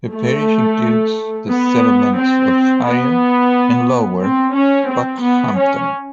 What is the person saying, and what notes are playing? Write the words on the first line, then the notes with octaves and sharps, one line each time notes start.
The parish includes the settlements of Higher and Lower Bockhampton.
A3
B3
C4
B3
C4
C#4
C4
B3
C#4